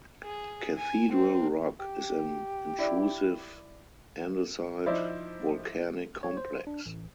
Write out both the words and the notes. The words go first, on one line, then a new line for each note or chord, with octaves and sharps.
Cathedral Rock is an intrusive andesite volcanic complex.
G#4
G#5
C4
G4
E4 D5
F3 D#4 E4 C5 D5
C#5
C5
D4
A1